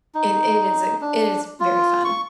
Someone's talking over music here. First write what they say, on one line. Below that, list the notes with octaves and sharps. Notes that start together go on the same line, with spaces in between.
i it it is it is very fun.
D#4
D4
F4
C#6